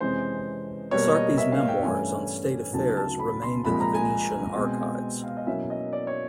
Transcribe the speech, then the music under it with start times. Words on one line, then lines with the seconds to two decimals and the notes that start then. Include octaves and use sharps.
Sarpi's memoirs on state affairs remained in the Venetian archives.
0.01 F2 C3 E3 G#3 C#4 C5
0.91 B2 G3 A#3 C#5
1.15 D#5
1.38 E5
1.52 F5
1.68 G5
1.83 G2 E3 A3 C#4 E4 G#5
2.73 D2 C#3 F#3 B3 D#4 A5
2.97 A5
3.19 B5
3.42 C6
3.64 C2 A#2 F3 G#3 B5
3.80 A#5
3.95 G#5
4.55 B2 G#3 C4
5.24 F5
5.37 D#5
5.47 B2 F#3 A#3 C#4 E4 E5
5.70 D#5
5.93 D5
6.07 C#5